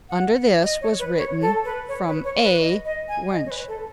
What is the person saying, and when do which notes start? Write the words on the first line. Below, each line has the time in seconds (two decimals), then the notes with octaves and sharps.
Under this was written, "From A. Wunsch."
0.09 F#5
0.64 D#5
0.81 C#5
0.99 B4
1.17 C#5
1.42 A4
1.65 B4
1.88 C#5
2.07 B4
2.24 C#5
2.43 B4
2.61 D#5
2.85 D#5
3.08 G#5
3.32 D#5
3.46 C#5
3.51 B4
3.68 A4